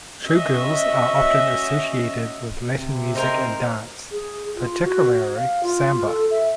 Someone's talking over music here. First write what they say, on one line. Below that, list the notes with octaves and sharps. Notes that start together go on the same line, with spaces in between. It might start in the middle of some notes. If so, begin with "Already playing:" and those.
Showgirls are often associated with Latin music and dance, particularly samba.
C#4 F#4 D#5 E5
C3
D#4 A#4 C5
G#4
F4
F#4
F5
F4
A4
E5